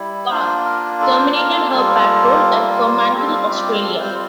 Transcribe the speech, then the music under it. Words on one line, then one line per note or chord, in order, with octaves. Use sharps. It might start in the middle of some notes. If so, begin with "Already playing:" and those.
"Gar" terminated her patrol at Fremantle, Australia.
Already playing: G3 E4
A#3 D4 F4 C5
A#4
A4
C5
A#4
A4
G3 A#3 F4 A4
G3 C4 F4 A4
G4
A4
C5